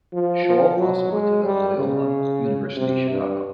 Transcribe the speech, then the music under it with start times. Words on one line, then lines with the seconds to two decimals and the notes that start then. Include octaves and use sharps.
Scholl also went to the Loyola University Chicago.
0.13 F3
0.46 F3
0.78 F#3
1.12 G#3
1.45 G3
1.78 C#3
2.77 C3
3.11 G2